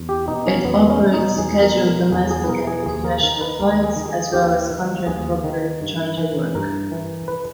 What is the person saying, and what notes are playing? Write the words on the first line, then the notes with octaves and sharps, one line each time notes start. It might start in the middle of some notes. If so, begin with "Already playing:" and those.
It operates scheduled domestic and international flights, as well as contract corporate charter work.
Already playing: E2
G4
B2 D#4
C#4
E2 B3
C#4
B2
D#4
E2 G#4
A#4
B2
A#4
E2 G#4
G#4
B4
B2 A#4
G#4
D#2 G#4
A#4
D#3 A#4
B4
D#2 A#4
G#4
D#3
G#4
D#2 G4
D#3
D#2 G#4
D#3
G2
E3
G2 A#4
E3
B4